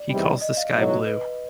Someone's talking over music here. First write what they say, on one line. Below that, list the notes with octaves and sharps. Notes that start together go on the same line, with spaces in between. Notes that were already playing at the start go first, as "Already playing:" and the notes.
He calls the sky blue.
Already playing: D5
E2 C3 D#3 G3
D#5
F5
B1 A2 F#3 D#5
B4